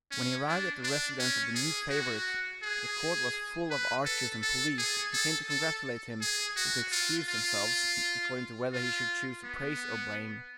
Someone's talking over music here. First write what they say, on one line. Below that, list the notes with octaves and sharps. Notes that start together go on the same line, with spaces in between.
When he arrived at the residence of the new favorite, the court was full of archers and police, who came to congratulate him, or to excuse themselves, according to whether he should choose to praise or blame.
C#4
D4
D4
C#4
G#4
F#4
G#4
B4
A4
A4
G#4
A4
A4
G#4
F#4
F4
F4
F4
B3